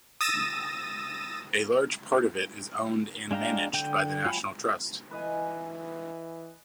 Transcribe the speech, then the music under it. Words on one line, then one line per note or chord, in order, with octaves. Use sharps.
A large part of it is owned and managed by the National Trust.
D#6 E6 A6 A#6 D#7 E7
G#3 D4 F5 G5 A#5
D3 G5 G6
F#3 F4 G5 G#5 B5
E3 B4 D#5 G#5